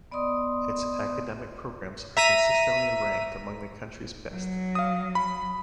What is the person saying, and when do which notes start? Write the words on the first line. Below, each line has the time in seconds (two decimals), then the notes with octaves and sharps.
Its academic programs are consistently ranked among the country's best.
0.11 B3 D5 D#5 C6 D#6
2.17 E5 A#5 B6 D#7
4.31 F#3
4.75 F5 D#6
5.15 B5